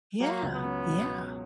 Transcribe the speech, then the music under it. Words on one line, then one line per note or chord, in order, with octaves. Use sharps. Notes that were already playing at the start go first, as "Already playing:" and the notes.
Yeah. Yeah.
F#3 A#3
C#2
B3
C#4
B2